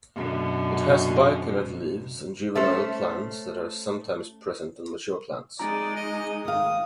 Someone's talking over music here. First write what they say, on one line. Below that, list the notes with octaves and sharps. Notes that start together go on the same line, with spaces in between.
It has bipinnate leaves on juvenile plants that are sometimes present on mature plants.
F#2 B2 D3
A3 C#4 C5
G#3 D#4 D5 A#5
D#5
D#3 F5 D#6